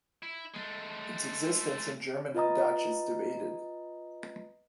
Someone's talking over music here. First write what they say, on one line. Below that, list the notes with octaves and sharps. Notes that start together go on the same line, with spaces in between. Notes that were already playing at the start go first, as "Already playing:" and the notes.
Its existence in German and Dutch is debated.
E4
G#3 A3
F4 B4 D#5 A#5 D#6